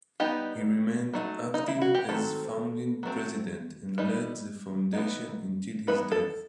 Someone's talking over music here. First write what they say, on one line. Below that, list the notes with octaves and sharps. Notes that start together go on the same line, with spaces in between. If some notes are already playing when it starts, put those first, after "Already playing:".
He remained active as founding president and led the foundation until his death.
G3 B3 D#4 G4
F#3 A3 D#4
D#4
E4
F#4
G4
D#3 F#3 C4 A4
F#3 A3 C4
E3 G3 D#4
E3 B3 D#4
E3 B3 D#4 B4
A4